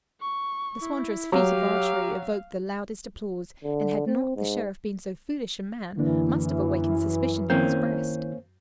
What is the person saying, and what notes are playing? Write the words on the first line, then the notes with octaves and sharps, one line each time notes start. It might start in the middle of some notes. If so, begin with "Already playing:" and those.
This wondrous feat of archery evoked the loudest applause, and had not the Sheriff been so foolish a man, must have awakened suspicion in his breast.
C#6
E4
F#3 G4 F5
D3
C4
G#2
F#2 D3 E3 A#3 D4
D#3 A#3 C4 C#4 E4 G6